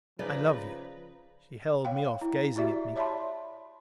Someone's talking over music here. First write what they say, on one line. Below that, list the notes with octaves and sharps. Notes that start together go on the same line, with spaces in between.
"I love you." She held me off, gazing at me.
C#3 F3 D#4 B4 D5 A#5
C#5 F5 G5
E4
E4 F#4 G4 D5 E5
C#5 D5 E5 A5 B5 C6